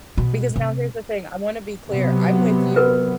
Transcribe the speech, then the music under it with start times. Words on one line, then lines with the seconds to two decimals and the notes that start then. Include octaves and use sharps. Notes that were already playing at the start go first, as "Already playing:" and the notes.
Because now here's the thing, I wanna be clear, I'm with you.
0.17 B2
0.56 C3
1.88 C3 F#3 B3
2.76 A#4 B4